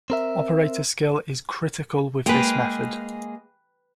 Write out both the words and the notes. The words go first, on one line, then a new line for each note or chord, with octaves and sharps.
Operator skill is critical with this method.
C4 A#4 E5
G#3 A#3 G#4 B4 G5